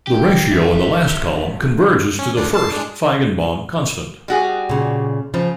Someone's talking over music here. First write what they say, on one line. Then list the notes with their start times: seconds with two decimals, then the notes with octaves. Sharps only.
The ratio in the last column converges to the first Feigenbaum constant.
0.07 G4
0.52 B1 E3 E5
0.73 E1
2.19 C#4
2.37 D2 D4
2.54 A5 C7
2.72 G#3 D4
4.28 G3 F#4 G#4
4.69 A#2 C#3
5.34 C#3 F3